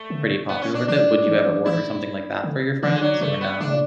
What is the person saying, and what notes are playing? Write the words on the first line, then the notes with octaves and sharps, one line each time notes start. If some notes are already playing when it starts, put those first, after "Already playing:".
pretty popular with it. Would you ever order something like that for your friends or no?
Already playing: A3
D3
B3
C#4
D4
E3 D4
E3
E3
E3 E4
D3
E3 D4
G#3
F#3
C#3 A3
B3
C#3 D4